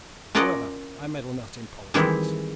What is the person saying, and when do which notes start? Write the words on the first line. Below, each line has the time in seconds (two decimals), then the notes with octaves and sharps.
However, I meddle not in politics.
0.35 C#4 F4 A#4 D5 D#5 F#5
1.94 D#3 E3 G3 G#3 C4 E4